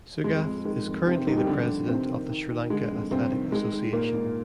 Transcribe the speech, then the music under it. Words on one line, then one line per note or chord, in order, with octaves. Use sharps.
Sugath is currently the President of the Sri Lanka Athletic Association.
F2 G#3
F2
D#3 G#3
F2
C3 D#3 C4
C3 C4
G2 D#3 D#4
G3 G4
F2 D3 D4
F2
C3 D#3 C4
D#3
D#3
D#3
D3 G#3
F2
G2 C3 C4
D#3
D#3 G#3
D#3
A#2 D#3 A#3
G#2